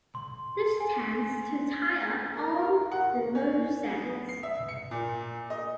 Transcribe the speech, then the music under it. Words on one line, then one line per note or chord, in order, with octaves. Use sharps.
This tends to tie up all the loose ends.
C6
G#5
A#4
F#5
C#4
B3
C7
E5
C#7
A#2
D#5